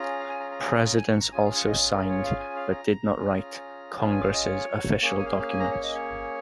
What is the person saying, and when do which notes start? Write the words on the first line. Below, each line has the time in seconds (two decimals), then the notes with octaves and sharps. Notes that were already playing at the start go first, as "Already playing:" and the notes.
Presidents also signed, but did not write, Congress's official documents.
Already playing: C#4 F4 G#4 A#5
0.19 F5
0.29 G#5
0.40 A#5
0.52 A#5
0.63 A#5
0.75 A#5
0.86 A#5
0.97 G#5
1.08 C#6
1.21 A#5
1.32 C#4 F4 G#4 G#5
1.44 F5
1.55 C#5
1.66 D#5
1.93 A#4
2.09 C#5
2.24 F5
2.40 G#5
2.56 F5
2.71 A#5
3.17 C#4 F4 G#4
4.02 F5
4.10 G#5
4.22 F5
4.33 D#5
4.44 C#5
5.02 A#3 C#4 G#4 C#5
5.19 G#5
5.26 F5
5.40 F5
5.49 G#5
5.60 A#5
5.71 C#5
5.83 D#5
5.95 C#5